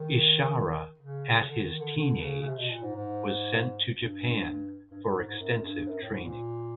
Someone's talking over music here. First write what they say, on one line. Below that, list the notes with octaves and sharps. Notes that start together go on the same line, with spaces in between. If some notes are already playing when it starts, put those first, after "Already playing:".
Ishara at his teenage was sent to Japan for extensive training.
Already playing: D#3
C#3
D3
D#3
D3
D3
C#3
C#3
C3
B2
A#2
G#2
G#2
G2
G2
G2
G#2
G#2
F#2
G2
F#2
A2
G#2
A#2